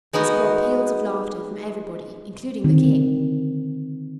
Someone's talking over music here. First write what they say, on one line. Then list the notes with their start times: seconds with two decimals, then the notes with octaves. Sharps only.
This brought peals of laughter from everybody, including the king.
0.13 G#3 B3 D#4 F#4
2.64 D3 D#3 C4